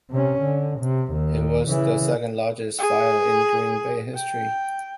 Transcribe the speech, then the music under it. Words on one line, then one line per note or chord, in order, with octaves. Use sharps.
It was the second largest fire in Green Bay history.
C3 C#4
D3
C3
D#2
C#3 E3
G#4
G5